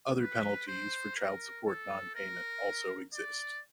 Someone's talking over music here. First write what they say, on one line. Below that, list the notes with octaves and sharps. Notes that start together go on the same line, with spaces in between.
Other penalties for child-support non-payment also exist.
B4
C5
A#4
A4
A#4
D5